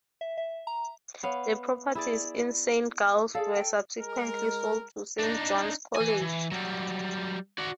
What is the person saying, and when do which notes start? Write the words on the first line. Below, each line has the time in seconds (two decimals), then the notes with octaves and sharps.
The properties in Saint Giles's were subsequently sold to Saint John's College.
0.21 E5
0.38 E5
0.67 A#5
1.23 B3 C#5 F5
1.95 E4 G#4 D5
3.35 G#4 A4 D5 F5
3.56 G5
3.99 G#3 A#4
5.19 D4 D#4
5.96 E3 G#5
6.21 E3
6.52 F#3 G3
7.58 F#4 D5